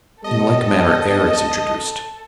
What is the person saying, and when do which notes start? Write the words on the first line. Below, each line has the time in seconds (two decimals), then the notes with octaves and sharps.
In like manner air is introduced.
0.24 G3 B3 A4 D#5